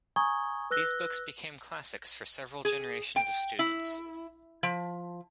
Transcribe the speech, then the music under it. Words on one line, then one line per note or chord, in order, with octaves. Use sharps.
These books "became classics for several generations of students".
G#5 A#5 C#6 D#6 G#6 G7
B4 E6 F#6 A#6 G7
G#4
G5
E4
F3